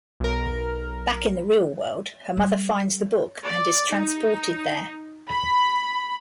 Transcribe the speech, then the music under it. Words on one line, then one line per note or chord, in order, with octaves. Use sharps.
Back in the real world her mother finds the book and is transported there.
B1 A#4
G3
D5
D#4
B5